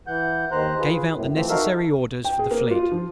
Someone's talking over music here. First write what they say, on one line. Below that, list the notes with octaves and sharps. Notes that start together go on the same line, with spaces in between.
Gave out the necessary orders for the Fleet.
E3 F#5 G6
D#2 D#3 C5 A#5 F#6
F4 G#4 B4
F#2 A2
E3 F3 A3 C4
D#4 F#4 A4 A#4 E5 F5
G5
G#4
A#3
F4
F3